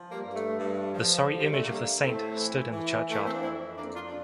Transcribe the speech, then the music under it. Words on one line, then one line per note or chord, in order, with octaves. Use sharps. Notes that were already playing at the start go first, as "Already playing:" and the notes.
The sorry image of the saint stood in the churchyard.
Already playing: F3
G3 A#3
G2
A3
G2
F3
D3
G3
A3
D3 G3 A#3
A2 A3 C4
E3
E3
E3 A3
A#3
C4
D4
F2 C4 E4
F2 A#3 D4
D4 F4
D4